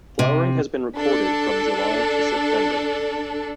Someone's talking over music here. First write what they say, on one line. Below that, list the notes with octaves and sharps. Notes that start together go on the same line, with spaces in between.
Flowering has been recorded from July to September.
C3
D4 A4